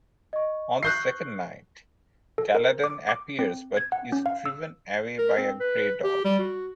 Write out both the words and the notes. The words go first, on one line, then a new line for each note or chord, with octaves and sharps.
On the second night, Galadan appears but is driven away by a grey dog.
D#5 C#6
C#6 E6 F#6 G6 C7
A4
A#4
D6
D6
C4
G#6
F#5
C#4
F5
E6
A#4
C4
B4
G4
G3
F#4